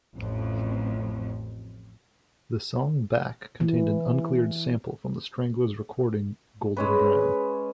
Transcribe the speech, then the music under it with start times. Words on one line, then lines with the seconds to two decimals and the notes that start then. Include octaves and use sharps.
The song "Back" contained an uncleared sample from the Stranglers' recording "Golden Brown".
0.16 A1 F2
3.60 E3
6.77 G#3 C#4 B4